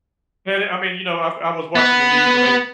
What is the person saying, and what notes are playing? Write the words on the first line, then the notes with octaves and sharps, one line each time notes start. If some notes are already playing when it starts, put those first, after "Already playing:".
And it I mean, you know, I I was watching the news, and they s
B3 B4